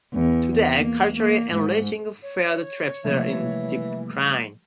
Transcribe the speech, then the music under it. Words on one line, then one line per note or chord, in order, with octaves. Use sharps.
Today, culturally enriching field trips are in decline.
E2
A#3
A#3
G#2
C#5
C3 E3 F3 G3 A3 A#3